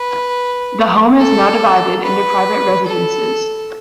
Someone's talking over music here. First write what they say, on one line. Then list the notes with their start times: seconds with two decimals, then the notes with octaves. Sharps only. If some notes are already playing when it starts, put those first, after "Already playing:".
The home is now divided into private residences.
Already playing: B4
1.19 A4
2.03 B4
2.86 A4